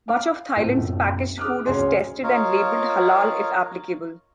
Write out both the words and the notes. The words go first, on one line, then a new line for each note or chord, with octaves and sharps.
Much of Thailand's packaged food is tested and labelled halal if applicable.
F5 D6 F6
C#2 A2 A3 C4
F#1 B1
G#4 D6 D#6 F6 F#6
D2 C#3 G#4 C#5 G#5 C6
F4 A#4 C#5 D#5 F5